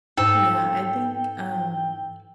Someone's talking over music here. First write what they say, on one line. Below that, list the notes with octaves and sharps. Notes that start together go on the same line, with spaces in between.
Yeah, I think, um,
G#2 A4 G5